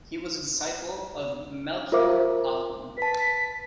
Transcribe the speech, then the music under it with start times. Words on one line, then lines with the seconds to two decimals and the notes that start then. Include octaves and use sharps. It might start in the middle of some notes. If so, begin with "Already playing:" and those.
He was a disciple of Melchior Hoffman.
1.92 F4 A#4 C5 E5 F5 D6
2.98 B4 A5 B6